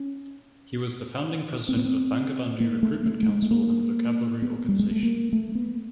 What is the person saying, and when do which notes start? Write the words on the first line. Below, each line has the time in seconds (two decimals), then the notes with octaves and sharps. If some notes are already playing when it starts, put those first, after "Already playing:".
He was the founding president of Bangabandhu Recruitment Council and vocabulary organization.
Already playing: C#4
1.69 C4
1.76 B3
1.85 C4
2.60 A#3
2.83 A3
3.06 A3
3.23 A3
3.29 G#3
3.42 A3
3.51 A#3
4.42 B3
4.69 G3
4.79 G#3
4.91 A3
5.03 A#3
5.33 A3
5.55 B3